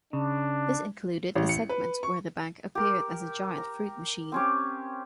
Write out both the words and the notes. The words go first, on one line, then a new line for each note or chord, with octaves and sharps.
This included a segment where the bank appeared as a giant fruit machine.
C#3 D4
A1
C#7
B4
C#6
G4 A#4
A#5
C4 C#4 G4